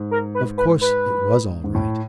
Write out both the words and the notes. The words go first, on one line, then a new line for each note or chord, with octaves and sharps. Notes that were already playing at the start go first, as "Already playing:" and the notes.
Of course it was all right.
Already playing: G#2
A#4
B4
B4
B4
G#2
A2